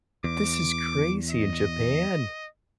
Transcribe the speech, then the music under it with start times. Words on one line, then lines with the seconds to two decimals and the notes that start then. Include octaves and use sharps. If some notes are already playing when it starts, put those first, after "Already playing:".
This is crazy! In Japan?
0.24 E2 D6
1.30 D#5